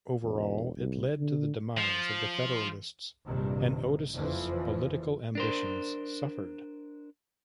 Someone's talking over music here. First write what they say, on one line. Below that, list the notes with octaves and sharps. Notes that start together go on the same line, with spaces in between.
Overall, it led to the demise of the Federalists, and Otis's political ambitions suffered.
E1
C2
D3
F3
A#1 G2 C3 D#3
F#1 F2 E3 F3
D4 A#4 C5